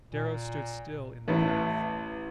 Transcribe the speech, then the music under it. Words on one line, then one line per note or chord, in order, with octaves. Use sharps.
Darrow stood still in the path.
A#2
A1 E3 A3